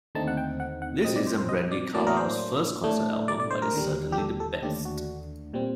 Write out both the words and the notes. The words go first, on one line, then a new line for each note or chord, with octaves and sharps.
This isn't Brandi Carlile's first concert album, but it's certainly the best.
D#2 D3 A3 C4 D#4 A5
F#5
G5
F#5
F#5
A#2 F#3 C4 D#4 D#5
D5
C5
C5
D#5
D5
A2 F#3 A#3 D4 D5
A#4
C5
A2 A3 D4
D5
D5
C5
A#4
D#2 D3 G3
G4
A4
A4
D#2 D3 A3 D4 G4
F#4
A#2 G3 C4